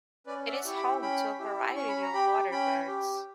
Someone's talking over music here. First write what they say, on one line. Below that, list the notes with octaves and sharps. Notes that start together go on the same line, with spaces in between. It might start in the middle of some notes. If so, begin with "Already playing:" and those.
It is home to a variety of water birds.
C#4 B4 D5
E5
D5 F#5
E4 G4 C#6
G5 B5
C#4 G5 B5
E4 G4
C#4 C#6
B5
A#5
G4 G5 B5
C#4 G5 B5
G4